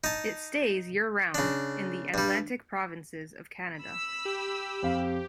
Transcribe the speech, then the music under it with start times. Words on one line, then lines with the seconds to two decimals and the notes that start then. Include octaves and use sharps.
It stays year round in the Atlantic provinces of Canada.
0.04 D#4 A5
1.35 C#3 D4
2.14 G2 G3
3.79 B5 E6
4.25 G4
4.82 F2 F5